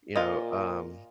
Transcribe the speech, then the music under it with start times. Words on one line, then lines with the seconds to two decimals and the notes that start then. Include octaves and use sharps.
you know, um
0.16 A#2 F4 D#5